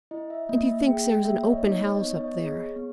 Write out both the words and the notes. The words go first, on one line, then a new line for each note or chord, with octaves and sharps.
"And he thinks there's an open house up there."
E4 D#5
E5
A#3 D#5
E5
G#4 G5
G5
A#3 E5
C#5
D#5
C#5
D#4 D#5
C#5
D#5
C#5
D#5
B3 C#5
D#5
C#5
D#5
C#5
D#5
G#4 C#5
B3